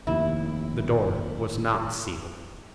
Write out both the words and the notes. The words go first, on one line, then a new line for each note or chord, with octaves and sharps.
The door was not sealed.
F1 D#2 E4